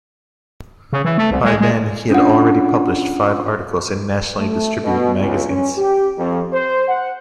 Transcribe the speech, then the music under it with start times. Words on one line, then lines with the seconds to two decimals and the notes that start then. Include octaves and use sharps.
By then he had already published five articles in nationally distributed magazines.
0.93 C#3
1.05 E3
1.18 A3
1.31 C2
1.44 G#3
1.61 G#3
2.10 C#4 D4 F4 F#5
4.38 A3
4.83 B2
5.19 C#2
5.48 C#4
5.77 G4
6.18 F2
6.52 C5
6.88 F#5